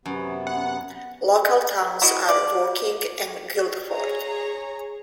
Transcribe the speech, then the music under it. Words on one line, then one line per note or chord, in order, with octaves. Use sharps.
Local towns are Woking and Guildford.
F#2 C3 B3
F#5
E4 F#4 D#5
D5
G#4 C#5 A#5